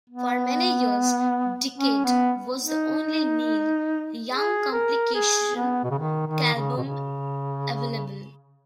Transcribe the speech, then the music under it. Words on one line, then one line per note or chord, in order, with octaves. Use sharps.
For many years, "Decade" was the only Neil Young compilation album available.
B3
C#4
B3
D#4
G#4
A#4
G#4
B3
B2
C#3
D#3
D#3
C#3
B2
C#3